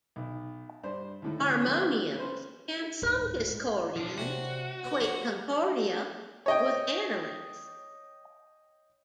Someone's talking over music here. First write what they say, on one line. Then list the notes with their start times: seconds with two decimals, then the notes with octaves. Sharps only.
Harmonians and some Discordians equate Concordia with Aneris.
0.16 B1
0.83 G2 D4 C5
1.22 D#2 A2 A3
1.39 A1 D2 C#4 C#5 F#6
1.66 F3 A3 B3 C4
2.15 C#4 B4 C5
3.02 D1 G#2
3.96 F3 D4
4.18 C3 C#4 D4 F#4
4.85 B3
5.01 F3 B3
6.46 C#5 D#5 G5